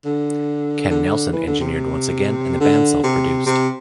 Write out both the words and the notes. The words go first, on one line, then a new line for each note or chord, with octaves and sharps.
Ken Nelson engineered once again and the band self produced.
D3
D3
E3
D3
C3
D3
C3
C3